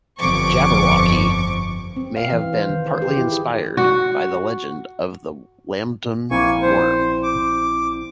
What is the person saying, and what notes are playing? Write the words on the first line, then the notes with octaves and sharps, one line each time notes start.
"Jabberwocky" may have been partly inspired by the legend of the Lambton Worm.
G1 F2 F3 C#6 D6
C4
F5
E3
C5
D#3
C5
G4
E4
G#4
F#4
A#1 A#3 C4 E4 G#5 C#6
C5
D6